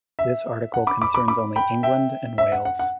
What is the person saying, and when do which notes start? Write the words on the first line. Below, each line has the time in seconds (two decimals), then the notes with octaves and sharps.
This article concerns only England and Wales.
0.19 E5
0.74 F#5
0.87 B5 D6
1.01 B5 D6
1.14 B5 D6
1.28 B5 D6
1.56 G5 B5
1.83 E5 G5
2.38 E5
2.52 F#5
2.65 F#5
2.79 F#5